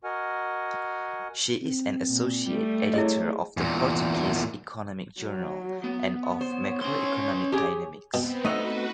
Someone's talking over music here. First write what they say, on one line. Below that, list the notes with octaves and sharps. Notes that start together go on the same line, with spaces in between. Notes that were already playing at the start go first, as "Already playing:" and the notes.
She is an associate editor of the "Portuguese Economic Journal" and of "Macroeconomic Dynamics".
F#4 A#4 D#5 F#5 G#5 F6
C4
A#2
G3 A3
E4 G#4 C#5 D#5
E2 A#2
F#3
B3
C5 C#5
C#4 C6
G4 G#4
B2 B3 C4
A3 D#4 F#4 B4 D#5 F#5